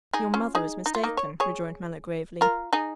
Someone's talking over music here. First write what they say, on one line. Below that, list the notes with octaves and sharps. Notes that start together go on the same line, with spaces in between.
"Your mother is mistaken," rejoined Mallow gravely.
D#4 G#4
C#4 F4
D#4 G#4
D#4
F4
A#3 D#4
C#5
G#4 C#5
F4 A#4
D#4 G#4